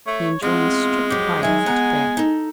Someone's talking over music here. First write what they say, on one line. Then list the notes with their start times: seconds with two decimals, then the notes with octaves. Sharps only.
He enjoins strict quiet for to-day.
0.06 A3 C#5
0.42 E2 G#3 C4 F4 F#5
1.10 F2 F#3 G4
1.43 D#3 F#3 E5 G#5
1.66 B3 F#5 A#5
2.17 D#4 A4